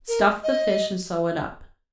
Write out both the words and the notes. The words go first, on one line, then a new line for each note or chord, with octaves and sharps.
Stuff the fish and sew it up.
A#4
D#5